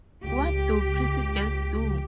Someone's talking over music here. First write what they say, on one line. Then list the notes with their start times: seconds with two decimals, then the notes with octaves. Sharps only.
What Do Pretty Girls Do?
0.23 C#2 G4